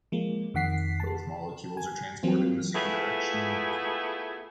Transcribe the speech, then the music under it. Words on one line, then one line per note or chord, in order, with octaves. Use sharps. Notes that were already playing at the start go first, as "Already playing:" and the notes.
Both molecules are transported in the same direction.
F3 G#3 A#3
F2 D#3 F#5 B6 C7
A5
G#5
E3 F#3 G3 A#3 C4 F4
A3 B3 E4 F4 G#4